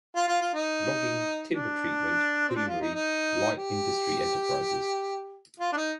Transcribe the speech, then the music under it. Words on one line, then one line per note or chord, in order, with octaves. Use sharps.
Logging, timber treatment, creamery, light industry enterprises.
F4
F4
F4
D#4
D4
C4
D4
F4
D#4
D#4
G4
F4
D4
D#4